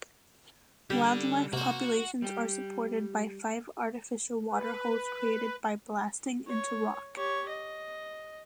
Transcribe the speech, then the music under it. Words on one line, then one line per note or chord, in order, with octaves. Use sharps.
Wildlife populations are supported by five artificial waterholes created by blasting into rock.
D3 G3 G4
C3 A#3 F#4 C5
G3 G4
B4
C#5
G4 C#5
D#5